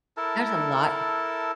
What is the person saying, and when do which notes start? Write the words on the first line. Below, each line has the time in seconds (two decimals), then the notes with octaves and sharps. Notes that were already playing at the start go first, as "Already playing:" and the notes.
There's a lot
0.17 E4 A4 A#4 A5